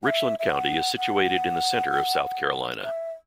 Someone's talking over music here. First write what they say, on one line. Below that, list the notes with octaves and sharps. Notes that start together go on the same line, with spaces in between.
Richland County is situated in the center of South Carolina.
F#5
E5
E5
F#5
F#5
E5